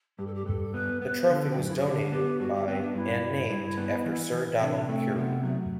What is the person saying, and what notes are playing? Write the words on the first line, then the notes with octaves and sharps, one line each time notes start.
The trophy was donated by and named after Sir Donald Currie.
G2 G4
A4
G4
G2 A4
B3 B4
B3 B4
B4
D3 A4
C4
F#2 D4
E4
F#4
D3 G4
B3 G4
G2 F#4
G4
B3 C4
D4
G2 E4
G2
G2
B3
E3
E3
C3 D4
A3 C4
C3 B3
F#3 A3